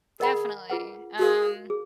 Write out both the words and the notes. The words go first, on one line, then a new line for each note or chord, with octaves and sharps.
Definitely, um,
G#4 A#4 D#5 F#5 B5
F4 G#4 B4 F#5
F#4 G#4 A#4 F5
G#4